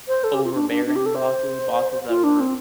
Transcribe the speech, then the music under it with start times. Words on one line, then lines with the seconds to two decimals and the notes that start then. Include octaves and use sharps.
overbearing bosses. Bosses that were
0.08 C5
0.24 A4
0.34 G4
0.44 F4
0.54 D4
0.70 D4
0.86 D4
0.96 G4
1.06 A4
1.16 C5
2.09 F4
2.24 D4
2.40 C4